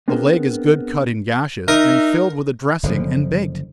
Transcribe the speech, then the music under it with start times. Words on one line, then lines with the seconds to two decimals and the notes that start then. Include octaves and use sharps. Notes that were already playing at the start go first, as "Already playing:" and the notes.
The leg is good cut in gashes, and filled with a dressing, and baked.
0.08 B3 C4 D4 G#4 A#4
1.68 D#4 A#4 E5
2.83 F#1 D3 F3